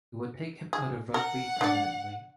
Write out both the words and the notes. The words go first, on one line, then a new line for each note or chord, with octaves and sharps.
It would take him out of rugby permanently.
G#4
A#4 F#5
D4 D5